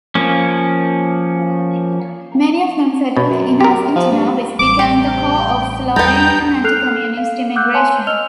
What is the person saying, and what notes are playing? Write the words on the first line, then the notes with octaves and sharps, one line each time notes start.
Many of them settled in Argentina, which became the core of Slovenian anti-Communist emigration.
F3 A#3 C#4
B2
F#2
G4 A#4
F3
G2
A1 G3 D6
C3 G4 G5
E2 G3 B3 A4 G5 A#5 G6
A4 F6 F#6 C7 F7
F5
F#5 D6 E6 F#6 G6
C#5 G#5 A5 C6 F#6
D#5 E6 F6 F7 G7